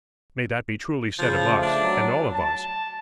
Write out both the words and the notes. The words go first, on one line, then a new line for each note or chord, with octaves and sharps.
May that be truly said of us, and all of us!
C#3 F3
A3
D4
F#3
A5